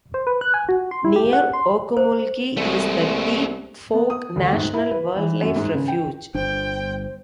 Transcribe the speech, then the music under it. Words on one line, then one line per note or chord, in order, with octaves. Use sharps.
Near Okmulgee is the Deep Fork National Wildlife Refuge.
C5
B4
F#6
G#5
F#4
C6
E4
G4
F#5
C6
C5
C2 G#3 A3
B3
D#6
D2
G#2
E4
B4
E3
F#2
G#2
C#3
G5
G1 D4 C5 G5